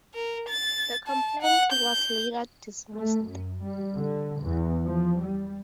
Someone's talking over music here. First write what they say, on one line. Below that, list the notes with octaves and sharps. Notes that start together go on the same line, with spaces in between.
The complaint was later dismissed.
A#4
A6
A5
F#5
G6
A3
F#2
G3
D3
E2
F3
G3